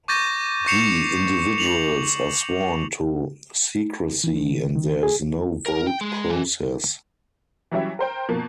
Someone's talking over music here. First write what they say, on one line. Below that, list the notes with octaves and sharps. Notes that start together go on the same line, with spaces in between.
The individuals are sworn to secrecy and there is no vote process.
C#6 D6 G6 A6 A#6 D#7
C#6 G6 C7 C#7 E7 F7
F7 F#7
E3
D#3
D#3
G#4
A#4
G5
G#3
E3
E3 F#3 G3 C#4 E4 E5
A#4 C5 G5
B2 F3 A#3